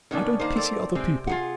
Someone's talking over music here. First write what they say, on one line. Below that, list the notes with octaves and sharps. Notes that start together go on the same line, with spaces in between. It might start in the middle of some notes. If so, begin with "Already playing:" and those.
I don't pity other people.
B2 D#3 B3 C#4 D4
D#3 A#3 C5
C4 A4 D5
C3 G#3 C4 G5
F4 G#4 F#5